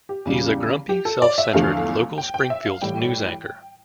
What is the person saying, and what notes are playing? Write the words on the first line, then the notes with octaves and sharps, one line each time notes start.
He is a grumpy, self-centered local Springfield news anchor.
G4
E2 C#3 G3
G4
A4
D5
E5
E2 D3 F3 A3 F5
G5
G5
E5
F5
A2 E3 G3 G5